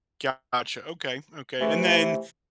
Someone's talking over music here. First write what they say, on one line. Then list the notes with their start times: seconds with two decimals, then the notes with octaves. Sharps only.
Gotcha, okay, okay, and then
1.60 C3 E3 A3